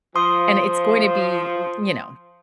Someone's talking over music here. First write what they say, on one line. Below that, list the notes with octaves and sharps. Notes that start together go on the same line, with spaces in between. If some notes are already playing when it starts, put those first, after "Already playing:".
and it's going to be u you know,
F3 C6 D#6